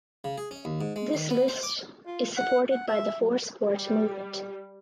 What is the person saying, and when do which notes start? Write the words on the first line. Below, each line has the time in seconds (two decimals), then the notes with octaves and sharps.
This list is supported by the For Sport movement.
0.24 C#3
0.38 G#4
0.51 C#4
0.65 D#2
0.81 G#2
0.96 G#3
1.13 D#3
1.30 B3
1.48 C5
1.63 D6
2.06 F4
2.37 F#5
2.71 F#5
2.88 E5
3.21 F#3
3.68 G3